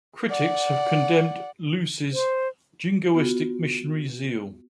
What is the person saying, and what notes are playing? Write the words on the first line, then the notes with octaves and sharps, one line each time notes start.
Critics have condemned Luce's jingoistic missionary zeal.
D5 F#5
C5
B3 F4 F#4